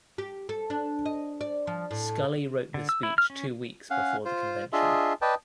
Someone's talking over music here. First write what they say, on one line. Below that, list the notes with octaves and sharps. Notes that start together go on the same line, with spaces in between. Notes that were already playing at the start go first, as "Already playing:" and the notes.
Scully wrote the speech two weeks before the convention.
G4
A4
D4
D#5
D5
F3
A2
D3
E6
E4
F6
C#4
C#4 F5 F#5
F4 C5
D4 F4 G#4 D#5 E5 C6
B4 D5 D#5 G5 A5